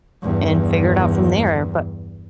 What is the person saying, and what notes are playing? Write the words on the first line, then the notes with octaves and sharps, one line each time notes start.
and figure it out from there. But
E2 G2